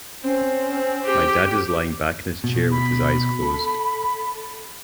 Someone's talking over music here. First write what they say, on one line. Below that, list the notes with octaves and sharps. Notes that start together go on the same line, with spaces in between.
My dad is lying back in his chair with his eyes closed.
C4 C#4
G4
B2
B5
A4